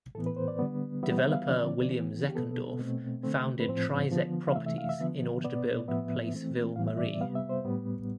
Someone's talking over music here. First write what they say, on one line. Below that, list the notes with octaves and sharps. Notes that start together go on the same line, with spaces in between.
Developer William Zeckendorf founded Trizec Properties in order to build Place Ville Marie.
A2 E3 B3 A4
B4
C5
D5
D3 G3 B3
E3 G3 B3 E5
E5
F5
D3 F3 C4 D5
E3 B3
G4
B2 B3 A4
B2 A3 C4
D3 A3 C4
B4
A2 F3 C4 C5
D3 F3 B3
F5
C3 E3 A3 E5
E5
F5
E5
D3 F3 B3
B2 B3 D5
A2 F3 B3 E5
E3 A3 C4
A2 E3 G3 B3 F5
E5
D5
C3 G3 B3 F5
E5
C5
A2 G3 B3